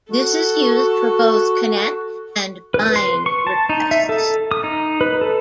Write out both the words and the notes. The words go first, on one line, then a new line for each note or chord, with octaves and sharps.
This is used for both "connect" and "bind" requests.
F#4 A4
B4
C6
C#6
A5
D#4
E5
A4
D#6
D#4
B4
A4